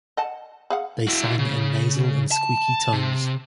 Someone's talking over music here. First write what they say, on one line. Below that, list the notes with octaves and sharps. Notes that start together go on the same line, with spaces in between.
They sang in nasal and squeaky tones.
D#5 F#5 A5
G#4 F5 F#5
E4 F#4
C#3
A5
C3